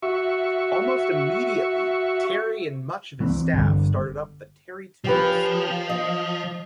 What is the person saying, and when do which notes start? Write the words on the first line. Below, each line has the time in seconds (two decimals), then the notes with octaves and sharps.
Almost immediately, Terry and much of his staff started up the Terrytoons studio.
0.02 F#4 E5 C#6
3.20 E3 C4
3.53 G1 A#2 D3
5.04 F3 C#4 G4 B4
5.89 D#5